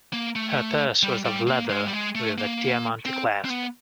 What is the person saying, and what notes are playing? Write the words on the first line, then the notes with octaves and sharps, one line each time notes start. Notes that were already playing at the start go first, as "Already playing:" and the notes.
Her purse was of leather, with a diamante clasp.
A#3
A3
G3
G3
A#3
G#3
G3
G#3
A3
A#3
C4
C4
B3